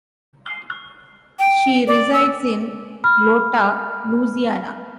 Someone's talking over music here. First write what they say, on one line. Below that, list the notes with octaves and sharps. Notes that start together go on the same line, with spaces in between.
She resides in Iota, Louisiana.
G5
D5
E6
B5 F6